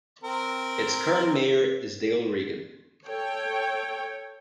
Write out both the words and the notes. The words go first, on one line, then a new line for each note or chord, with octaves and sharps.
Its current mayor is Dale Reagan.
C4 A#4
A4 C#5 G5